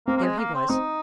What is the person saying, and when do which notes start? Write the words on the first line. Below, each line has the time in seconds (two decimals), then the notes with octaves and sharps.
There he was!
0.07 A#3 C4
0.17 A#3
0.23 G#3
0.38 A#3
0.54 C4
0.70 C4 D#4